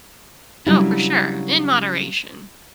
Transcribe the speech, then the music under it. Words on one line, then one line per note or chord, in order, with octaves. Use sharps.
Oh, for sure, in moderation.
C#3 F#3 G3 C#4 D4 E4